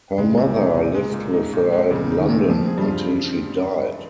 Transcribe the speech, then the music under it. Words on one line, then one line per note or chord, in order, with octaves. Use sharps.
Her mother lived with her in London until she died.
C#2 C#3 G#3
A#2
C2 C3
D#4
A#2
G#3
A#2
D#4
A#2
G#3
C#2 A#2 C#3
D#4
D#2 D#3
A#2
F2 F3 C4
G#4
G2 G3
F4